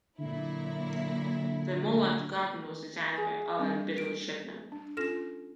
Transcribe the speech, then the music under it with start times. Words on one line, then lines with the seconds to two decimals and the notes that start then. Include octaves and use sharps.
The Moonlight garden was designed by Ellen Biddle Shipman.
0.19 A#2 D3 F#3 E4
3.16 G#4 G#5
3.58 G3 C4 D4
3.98 D7
4.72 D4
4.97 C#4 F4 A4 F6 A#6 E7